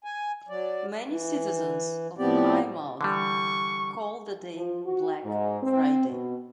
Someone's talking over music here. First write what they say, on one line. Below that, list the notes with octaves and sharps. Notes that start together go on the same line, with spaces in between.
Many citizens of Eyemouth call the day Black Friday.
G#5
F#3 D5
E3
A2 F3 B3 C4 G4 D5
D3 E3 G3 C#6
F3
F#4
G#2
C4
B2